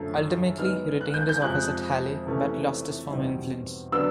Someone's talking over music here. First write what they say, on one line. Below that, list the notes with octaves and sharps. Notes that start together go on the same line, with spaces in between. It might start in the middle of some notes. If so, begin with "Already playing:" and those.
Ultimately, he retained his office at Halle, but lost his former influence.
Already playing: F#2 D3 F3 A3
D#3 G#3 B3 D#4 F6
F#6
G6
G6
F2 C3 F3 G#3 F#6
C3 E3 A3 C#4
E2 B2 G3 C4 D#4
D3 F#3 B3 D4 E6